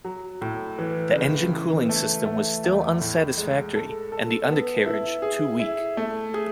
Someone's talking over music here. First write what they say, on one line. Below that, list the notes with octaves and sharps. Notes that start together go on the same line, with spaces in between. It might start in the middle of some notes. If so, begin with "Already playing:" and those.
The engine cooling system was still unsatisfactory and the undercarriage too weak.
F#3
A2
E3
C#3
E3
A3
A3
E2
A2
G#3
A4
A4
B3
E4
G#4
E4
A3
G#4